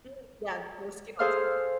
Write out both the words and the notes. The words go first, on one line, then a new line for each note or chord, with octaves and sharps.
Mm, yeah, no skills.
G#4 A4 C5 F5 D#6 F6